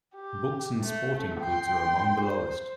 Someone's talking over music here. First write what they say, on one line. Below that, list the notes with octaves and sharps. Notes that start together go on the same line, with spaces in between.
Books and sporting goods are among the lowest.
G4
A3
G5 C6
C5